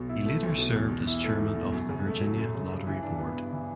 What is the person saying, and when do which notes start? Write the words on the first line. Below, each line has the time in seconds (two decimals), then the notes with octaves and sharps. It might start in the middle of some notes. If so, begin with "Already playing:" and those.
He later served as chairman of the Virginia Lottery board.
Already playing: B1 B2
0.09 E4
0.26 A3
0.42 B1
0.58 B2
0.75 E2
0.91 B2
1.07 E4
1.24 A3
1.41 E2
1.56 B2
1.72 F#2
1.89 C#3
2.06 A3
2.21 F#3
2.38 F#2
2.55 C#3
2.71 G2
2.87 E3
3.03 D4
3.19 B3
3.36 G2
3.53 E3